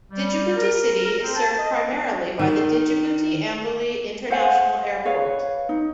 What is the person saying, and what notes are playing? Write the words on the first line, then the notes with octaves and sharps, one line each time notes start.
Djibouti City is served primarily by the Djibouti-Ambouli International Airport.
G3
A#4
A#4
C4
A5
D#5
D#3
C5 F5 F#5 G#5
G#4 B4 C#5 F5
D#4